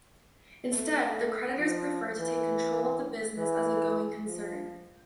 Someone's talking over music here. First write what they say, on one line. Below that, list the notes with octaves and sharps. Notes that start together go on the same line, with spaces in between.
Instead the creditors prefer to take control of the business as a going concern.
A3
A3
F3
E3
E3
F3